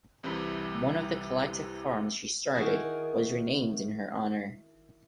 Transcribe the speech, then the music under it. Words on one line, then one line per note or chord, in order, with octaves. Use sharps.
One of the collective farms she started was renamed in her honor.
C2 C3 E3 G3 B5
D#3 E4 F#4 G#4